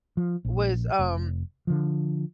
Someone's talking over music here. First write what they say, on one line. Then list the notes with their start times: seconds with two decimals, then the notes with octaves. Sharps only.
was, um,
0.17 F3
0.45 A#1
0.99 F1
1.67 D3 F3